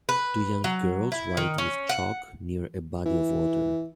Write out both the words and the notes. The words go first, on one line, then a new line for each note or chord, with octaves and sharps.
Two young girls write with chalk near a body of water.
B4
F#3
E4
D#3
C#4
F#5
E3